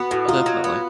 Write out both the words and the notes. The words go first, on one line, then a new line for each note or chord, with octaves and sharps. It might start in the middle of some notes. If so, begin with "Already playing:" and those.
Oh, definitely.
Already playing: B3 F#4
A2 F#4
D#4 F4
F#3
B3